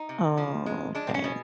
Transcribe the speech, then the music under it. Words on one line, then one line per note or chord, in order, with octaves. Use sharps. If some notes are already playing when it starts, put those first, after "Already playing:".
Oh, okay.
Already playing: D#4
C3
F3
G#3
G#3 D4
C4
C#4
B2